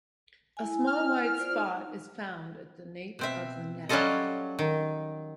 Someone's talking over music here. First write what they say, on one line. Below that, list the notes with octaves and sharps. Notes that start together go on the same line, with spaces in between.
A small white spot is found at the nape of the neck.
E4 G#5
F6
F4 C5 D5
D#4
B2 C4 E5
F#3 G3 C#4 F4 A4 D#5
D#3